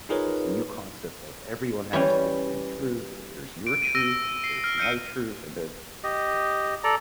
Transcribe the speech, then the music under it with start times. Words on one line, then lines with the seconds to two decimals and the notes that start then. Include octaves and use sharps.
with this new concept of, "Everyone has different truths, there's your truth. There's my truth," and then,
0.09 D#4 F4 G#4 A#4 B4 C#5
1.93 E3 G3 C#4
3.67 D7
3.82 D#7
3.95 E6 A#6 D#7
4.44 C7
4.64 F6
4.78 F6 G6 C#7 D#7
6.04 G4 D#5
6.84 A4 D5 A#5